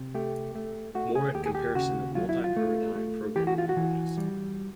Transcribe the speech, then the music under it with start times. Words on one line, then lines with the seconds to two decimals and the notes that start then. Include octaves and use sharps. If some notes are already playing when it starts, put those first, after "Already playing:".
More at Comparison of multi-paradigm programming languages.
Already playing: C3
0.15 A3 G4
0.55 A3
0.95 A3 F#4
1.15 G#4
1.35 D#2 G4
1.46 G#4
1.55 G4
1.75 C#3 F#4
2.15 F#3 F4
2.29 E4
2.44 F4
2.57 A3
2.96 A3
3.36 E3 G4
3.47 F#4
3.58 F4
3.69 F#4
3.77 E3
4.18 G3